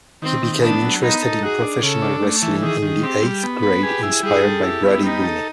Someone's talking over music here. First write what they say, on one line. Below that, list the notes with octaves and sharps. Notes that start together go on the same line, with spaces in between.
He became interested in professional wrestling in the eighth grade, inspired by Brady Boone.
D#3 C4
D#3
B3 D4
F#3
B3 D#4
A4
F#4 G#4
D4
C#3 A4
D4
A3
E3
D#3 G#4
D#3
C4 G4
G3
B3
B4
G4 G#4
E4
G3 G#4
A4
E4 G4
B3
G3 D#4
A4